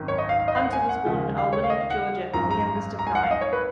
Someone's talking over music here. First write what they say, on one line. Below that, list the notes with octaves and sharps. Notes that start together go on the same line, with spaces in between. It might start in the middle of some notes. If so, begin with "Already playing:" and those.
Hunter was born in Albany, Georgia, the youngest of nine.
Already playing: G#1 F#2 D#3
C#5
D#5
F5
F5
D#5
F5
F#5
G#5
F#5
D#2 C#3 F3
F5
C#5
F5
D#5
F5
F#5
G#1 F#2 F3 A#5
A#5
A#5
G#5
F#5
F5
D#5
C#5
B4